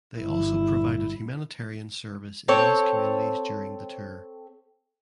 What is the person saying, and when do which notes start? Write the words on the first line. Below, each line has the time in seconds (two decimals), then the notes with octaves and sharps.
They also provided humanitarian service in these communities during the tour.
0.20 G1 E4
2.48 C4 A4 C#5